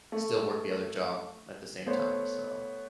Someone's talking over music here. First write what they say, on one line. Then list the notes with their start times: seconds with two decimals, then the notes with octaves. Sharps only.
still work the other job at the same time. So
0.12 A3
1.86 A3 B3 C5 C#5